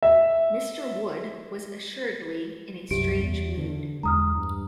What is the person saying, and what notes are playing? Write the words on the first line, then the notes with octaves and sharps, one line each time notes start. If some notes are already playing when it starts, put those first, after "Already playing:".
Mr. Wood was assuredly in a strange mood.
E5
C2 F#2 G4 D7
E2
D3
E2 G#3 A#5 D#6 F6
G2